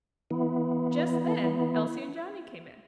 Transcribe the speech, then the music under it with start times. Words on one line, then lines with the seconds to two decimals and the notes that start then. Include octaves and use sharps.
Just then Elsie and Johnnie came in.
0.31 E3 B3